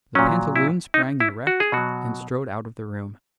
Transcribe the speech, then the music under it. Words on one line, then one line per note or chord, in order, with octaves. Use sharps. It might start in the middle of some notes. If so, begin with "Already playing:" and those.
The pantaloon sprang erect and strode out of the room.
A#2 F#3 C#4
E4
D#4
E4
F#4
G#4
B2 F#3 F#4